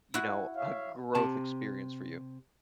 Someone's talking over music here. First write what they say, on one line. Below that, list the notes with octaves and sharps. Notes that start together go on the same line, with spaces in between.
you know, a growth experience for you.
E4 F#4
C#5 E5 F5
C3 A5